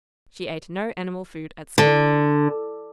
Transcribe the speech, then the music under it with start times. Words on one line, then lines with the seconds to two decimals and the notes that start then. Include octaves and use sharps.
She ate no animal food at school.
1.78 D3